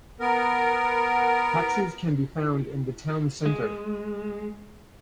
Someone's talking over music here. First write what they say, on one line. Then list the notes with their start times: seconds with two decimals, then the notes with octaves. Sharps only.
Taxis can be found in the town centre.
0.20 B3 A#4
3.46 G#3